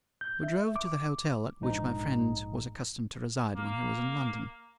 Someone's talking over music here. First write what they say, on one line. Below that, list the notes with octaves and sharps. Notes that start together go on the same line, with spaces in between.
We drove to the hotel at which my friend was accustomed to reside when he was in London.
G6
E5
D6
A#1 G#2 D#4
A#3